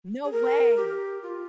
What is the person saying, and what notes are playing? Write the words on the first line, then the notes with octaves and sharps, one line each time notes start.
No way!
G#4
A#4
G4
F4